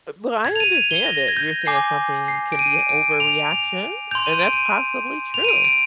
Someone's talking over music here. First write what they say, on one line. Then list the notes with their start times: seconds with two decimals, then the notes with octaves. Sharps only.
Bu but I understand that you're saying something can be an overreaction, and that's possibly true.
0.45 G#6
0.56 F7
0.60 D#7
0.75 F7
0.91 G7
1.06 A#6
1.28 G#6
1.37 G6
1.67 G#5 D6 G6 C7
2.28 C7
2.52 D7
2.59 D#7
2.89 D7
3.20 F7
3.51 F7
4.11 C6 G6 F7
4.26 D#7
4.39 D7
4.53 D#7
5.34 F7
5.44 D#7
5.49 D7
5.65 D7